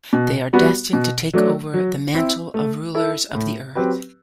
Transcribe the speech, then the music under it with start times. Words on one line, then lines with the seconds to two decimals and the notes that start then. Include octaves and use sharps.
They are destined to take over the mantle of rulers of the Earth.
0.13 B2
0.53 G3 B3 F#4
0.93 B2
1.33 F#3 A3 D4
1.74 F#3
2.14 C4 E4
2.54 A3
2.95 E4 A4
3.35 A2
3.75 F#3 C4 G4 B4